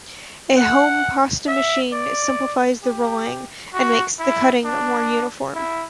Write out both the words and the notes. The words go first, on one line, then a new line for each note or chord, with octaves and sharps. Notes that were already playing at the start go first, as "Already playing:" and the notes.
A home pasta machine simplifies the rolling, and makes the cutting more uniform.
F#5
E5
D5
G4
F#4
E4
D4
E4